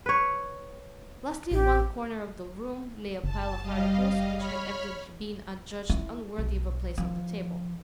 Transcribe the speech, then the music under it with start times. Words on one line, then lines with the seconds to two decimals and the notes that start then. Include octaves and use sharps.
Lastly, in one corner of the room lay a pile of articles which had evidently been adjudged unworthy of a place on the table.
0.06 B4 C#5
1.51 A1 G4
3.24 F#1 A5
3.62 G3 D#5 F5
4.36 C#5 B5 F6
5.89 E4 F4
6.38 B1
6.98 F3